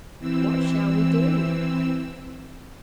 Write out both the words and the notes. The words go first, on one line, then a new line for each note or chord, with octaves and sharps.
What shall we do?
E3 C4 E6